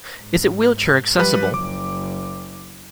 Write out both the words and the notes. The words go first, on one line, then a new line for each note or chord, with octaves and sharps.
Is it wheelchair-accessible?
G#2
F3 G3 B4
F#1 D6